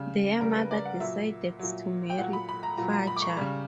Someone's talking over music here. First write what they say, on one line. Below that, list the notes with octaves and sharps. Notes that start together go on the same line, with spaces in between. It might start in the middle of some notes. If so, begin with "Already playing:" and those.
Their mother decides to marry Fajar.
Already playing: C#3 G3
C#3 G3 A#4
B4
D5
F#5
A#2 F#3 E5
A#2 F#3
G5
A#2 F#3 F#5
B5
B5
A#5
A#2 F#3 A#5
A#5
B5
D6
C#6
C#3 G3